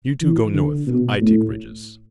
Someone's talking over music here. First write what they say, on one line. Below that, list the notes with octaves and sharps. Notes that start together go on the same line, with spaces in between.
"You two go north--I take ridges."
E3
D3
B2
A2